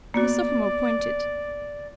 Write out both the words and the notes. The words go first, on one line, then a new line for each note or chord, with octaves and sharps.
The sophomore pointed.
A#3 B3 F#4 D5